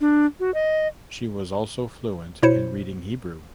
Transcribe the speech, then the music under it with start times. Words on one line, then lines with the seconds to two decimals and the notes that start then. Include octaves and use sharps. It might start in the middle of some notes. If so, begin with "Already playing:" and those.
She was also fluent in reading Hebrew.
0.01 D4
0.40 F#4
0.54 D#5
2.43 B2 E4 C5 C#5 C#7